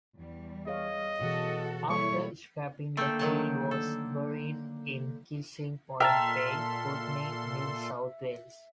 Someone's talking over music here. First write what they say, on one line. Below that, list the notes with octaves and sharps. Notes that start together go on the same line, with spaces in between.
After scrapping, the keel was buried in Kissing Point Bay, Putney, New South Wales.
E2 G3
G#4 C#5 D#5 F5
B2 E3 F#4 G#4 A4
G3 A#3 E4 A4 C#5 C#6
D3 A3 A#3 A4 G5
D#3 F#3 A5
A4
A#2 A4 E5 G5 A5 A#5 C6 F6